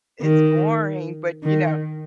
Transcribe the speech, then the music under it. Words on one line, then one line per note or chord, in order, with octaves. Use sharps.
it's boring, but, you know
D#3
D#3